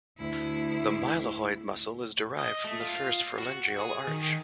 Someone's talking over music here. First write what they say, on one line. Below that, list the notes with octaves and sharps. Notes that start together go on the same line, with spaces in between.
The mylohyoid muscle is derived from the first pharyngeal arch.
D2 E4
D#5
A3
F4
F#4
G#4
D#3